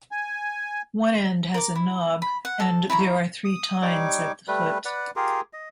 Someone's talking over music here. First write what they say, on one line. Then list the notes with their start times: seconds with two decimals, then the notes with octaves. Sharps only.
One end has a knob and there are three tines at the foot.
0.12 G#5
1.54 A#4 D6
1.76 E4
2.22 B5
2.45 F#5
2.60 A4
2.90 E4 C#5 A#5 B5
3.45 D#6
3.82 G3 D#4 C#5 D6
4.48 G3 A3 B4
4.85 B4 D5 F#5
5.16 F4 G4 G#4 A#4
5.53 D#5